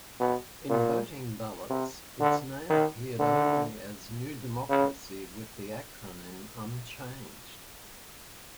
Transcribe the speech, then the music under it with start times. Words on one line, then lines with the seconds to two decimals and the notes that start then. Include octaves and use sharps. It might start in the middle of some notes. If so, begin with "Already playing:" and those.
In voting ballots, its name appeared only as New Democracy, with the acronym unchanged.
0.20 B2
0.70 A#2
1.70 C3
2.20 D3
2.69 D#3
3.19 D3
4.69 C#3